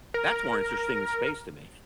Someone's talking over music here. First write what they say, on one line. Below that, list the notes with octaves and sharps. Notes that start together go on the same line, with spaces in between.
That's more interesting than space to me.
A#4